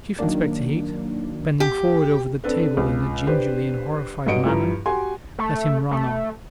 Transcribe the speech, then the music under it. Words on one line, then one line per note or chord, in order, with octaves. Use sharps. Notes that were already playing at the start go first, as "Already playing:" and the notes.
Chief Inspector Heat, bending forward over the table in a gingerly and horrified manner, let him run on.
D#3 F#3 A#3 D4
G4
C4 D4 A4 B4
C#2
D4 G4 B4 C5
G2 F#3 D#5 C#7 D7
G2 F3 E4 G4 A#5
F#4 G4 G#5 C6
A3
A3